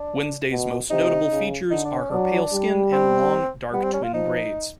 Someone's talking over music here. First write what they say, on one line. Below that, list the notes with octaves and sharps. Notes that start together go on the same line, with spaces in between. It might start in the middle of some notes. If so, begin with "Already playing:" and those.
Wednesday's most notable features are her pale skin and long, dark twin braids.
Already playing: D4
B2
C3 D#4
C#3
D3 D#4
D4
C#4
F#3 D4
G3
C4
G3 B3
C4
C#4
F4
F3 D#4